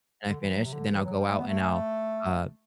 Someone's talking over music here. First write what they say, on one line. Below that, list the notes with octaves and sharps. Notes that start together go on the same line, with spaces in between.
and I finish, then I'll go out and I'll, uh,
D3
E3
F#3
C3
D3
E3
F#3
G3
A3
B3
A3